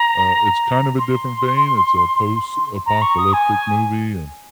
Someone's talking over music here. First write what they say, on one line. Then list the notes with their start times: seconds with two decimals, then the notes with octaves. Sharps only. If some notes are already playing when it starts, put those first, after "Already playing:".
uh it's kind of a different vein. It's a post-apocalyptic movie and,
Already playing: A#5
0.99 C6
2.86 A#5
3.02 C#6
3.18 D#6
3.33 G#5